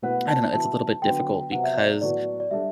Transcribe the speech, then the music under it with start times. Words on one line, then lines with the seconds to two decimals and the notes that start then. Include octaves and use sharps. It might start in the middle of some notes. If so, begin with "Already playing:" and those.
I don't know, it's a little bit difficult because
0.02 B2 A3 E4 B4 F#5
0.28 A5
0.52 F#3 B3 E4 A5
1.02 D3 F#3 B3 G5
1.51 C3 F#3 B3 F#5
1.64 E5
1.77 D5
2.01 A2 F#3 B3 F#4 A4 D5
2.40 D5
2.51 G3 D4 A4 E5